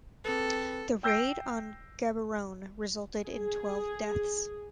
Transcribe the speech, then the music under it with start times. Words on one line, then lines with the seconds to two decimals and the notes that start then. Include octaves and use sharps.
The Raid on Gaborone resulted in twelve deaths.
0.25 C4 G#4 A4 B4
1.03 G5 E6 G6 A#6 C7 D7
3.27 G#4